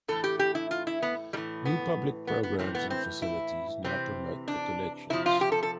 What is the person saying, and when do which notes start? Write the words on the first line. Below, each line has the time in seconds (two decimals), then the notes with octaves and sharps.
New public programmes and facilities now promote the collections.
0.08 A2 E3 A4
0.24 G4
0.39 G4
0.55 E4
0.71 F4
0.87 E4
1.02 B3
1.33 A2 E3 G3
1.65 B3
2.27 B3
2.43 B3
2.59 A2 E3 C4
2.75 B3
2.90 C4
3.22 E4
3.84 C3 E3 C4
4.48 D4
5.10 C3 F3 E4
5.26 F4
5.41 G4
5.52 A4
5.63 A4